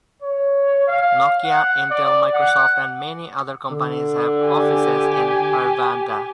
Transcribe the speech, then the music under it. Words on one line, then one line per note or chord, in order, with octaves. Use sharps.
Nokia, Intel, Microsoft, and many other companies have offices in Hervanta.
C#5
F5
F#5
D5
F#5
D3
G4 G#5